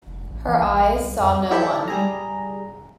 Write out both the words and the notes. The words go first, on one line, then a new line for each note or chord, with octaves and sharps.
Her eyes saw no one.
F1
A1
E3
B1
A#1
C2
F2
D#4 E4 G4 A4 D5 E5
G3 G#4 A#5